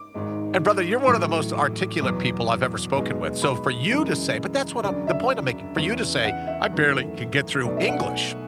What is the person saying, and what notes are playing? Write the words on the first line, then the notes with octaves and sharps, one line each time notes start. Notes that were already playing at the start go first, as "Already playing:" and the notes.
And brother, you're one of the most articulate people I've ever spoken with, so for you to say but that's what I'm the point I'm making, for you to say, "I barely can get through English."
Already playing: D6
G#1 G#2 G#3
A1 A2 F#3 A3 C#6
D6
E2 B2 F#3 D6
B1 B2 G#3
B5
F#2 C#3 E3 G#3
E1 D2 C#3 F#3 D5
E5
E2 C#3 E3
F#5
E5
G#1 F#2 E3 A3
B1 B2 A3 D5
E5
F#5
G#5